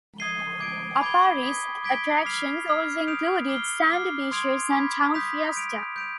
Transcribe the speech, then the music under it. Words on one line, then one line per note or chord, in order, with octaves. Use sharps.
Aparri's attractions also include its sandy beaches and town fiesta.
D#6 G#6 C7 D#7 G7
D6 G#6 D7
B5 D6 G#6 D7 G7
D#6 G#6 B6
D6 G#6 B6 D7 G7
D6 F6 C7 F7
F6 C7 F7
D#6 G6 D7 F7
D6 F6 C7 G7
D6 F6 C7
C6 D#6 G#6 D7 F7
B5 D6 G#6 B6
D#6 G6 B6 F7
G6 D7 F7
G6 D7 F7